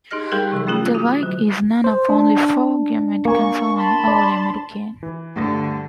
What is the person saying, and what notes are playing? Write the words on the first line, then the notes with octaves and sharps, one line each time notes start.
Del Wilkes is one of only four Gamecock consensus All-Americans.
D#4 G4 G#4 D#5 F6 A#6
G3 D#4 G4 G#4 A#4 G5
C3 E3 F#3 E6
A3 C#4 F4 G#4
E4 F#4
D3 F#3
C5
D4
A#3 G#5 C#6
A5 B5 C6
D5
E3
D2 G2 D3 A3